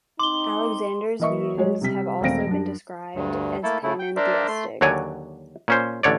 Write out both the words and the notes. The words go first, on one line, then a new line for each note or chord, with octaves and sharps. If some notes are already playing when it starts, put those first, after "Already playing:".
Alexander's views have also been described as panentheistic.
C4 D#4 C6 D6 G7
E3 A#3 D#5 E5 C#6
F#3 G#3 C#5
C3 G3 B6
E1 A3 C4 F5 A#6 D7
F#2 D4
D2 G2
A3 A#3 E4 A4
C#3 A3 E4
G5
D4 A#4 C5 D5 E5
A3 C6
D#2 D3 F#3 C#5 D5 G#5
A#2 C#4 C5
A1 D3 C#5 D5